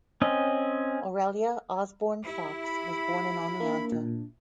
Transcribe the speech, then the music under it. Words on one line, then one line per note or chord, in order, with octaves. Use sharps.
Aurelia Osborn Fox was born in Oneonta.
C4 C#4 D#5
E4 G4
B5
A#3 D4
A#2